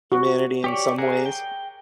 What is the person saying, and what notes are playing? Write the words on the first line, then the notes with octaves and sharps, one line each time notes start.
humanity in some ways,
F#4
G4 C#5 D5
G#4 A#4 F#5
G5